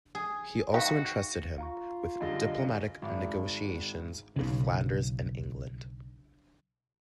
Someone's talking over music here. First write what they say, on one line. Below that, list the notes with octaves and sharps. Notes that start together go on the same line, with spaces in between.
He also entrusted him with diplomatic negotiations with Flanders and England.
G#4
D#3 F#4 F5 G5
F4 F5 A#5 C#6
F#2 D3 G3 D#5
G#1 D5
B1 C#3